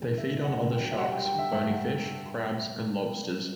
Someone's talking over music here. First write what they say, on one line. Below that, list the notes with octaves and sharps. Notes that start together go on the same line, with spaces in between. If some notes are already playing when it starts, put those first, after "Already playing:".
They feed on other sharks, bony fish, crabs, and lobsters.
Already playing: E2 B2
D3
E5
E2
F#3 F#5
D3
G5
F#3
E5
G3 F#5
G5
G3
G5
D3 E5
G2 E5
G2 F#5